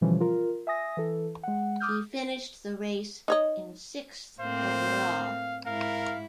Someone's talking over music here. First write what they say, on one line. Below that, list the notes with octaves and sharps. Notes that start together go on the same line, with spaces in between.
He finished the race in sixth overall.
B2 D3 E3 F3 G3 C#4
F4 A#4
E5 G#5 D#6 A#6
E3 A4
G#3 F#5
D6 D#6 F6 G6
D#4 C#5 D#5
A2 A#3 C4 C5 F5
G#2 E4 A#4 F5